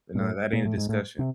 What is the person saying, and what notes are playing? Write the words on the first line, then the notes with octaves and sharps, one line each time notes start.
But nah, that ain't a discussion.
A#2
A2
A#2
A2
G#2
A2
C3